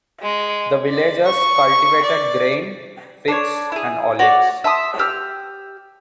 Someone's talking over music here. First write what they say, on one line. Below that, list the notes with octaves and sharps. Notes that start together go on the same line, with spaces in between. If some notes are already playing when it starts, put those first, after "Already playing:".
The villagers cultivated grain, figs, and olives.
G#3
D5
C#6
D5
D4 C#5
E4 G#4
F#4 C#5 D5
E5 A5 C6 D#6
G4 E6 F6